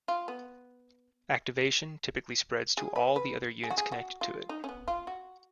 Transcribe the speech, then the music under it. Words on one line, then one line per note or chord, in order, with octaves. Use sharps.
Activation typically spreads to all the other units connected to it.
F4
B3
G#4
B4
B4
G#4
F#4
G#4
F#4
F4
D#4
C#4
B3
F4
F#4